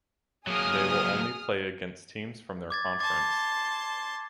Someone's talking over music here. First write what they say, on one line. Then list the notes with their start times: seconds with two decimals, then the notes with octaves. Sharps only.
They will only play against teams from their conference.
0.47 F#3 A#3 G#4 D#6 F6
2.70 D6 G#6 A6
3.00 A5 C6 D6 A6